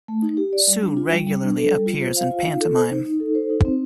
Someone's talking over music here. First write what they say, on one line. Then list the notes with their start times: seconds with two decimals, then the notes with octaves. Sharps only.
Sue regularly appears in pantomime.
0.08 A3
0.22 D#4
0.37 G4
0.53 D5
0.68 G3
0.83 D4
0.97 F4
1.12 G3
1.27 G3
1.42 D4
1.57 A4
1.72 G3
1.86 F4
2.01 C5
2.16 F5
2.31 F4
2.45 D#4
2.61 A4
2.76 C5
2.91 D#4
3.05 D#4
3.20 A4
3.35 C5
3.50 D#4
3.65 C4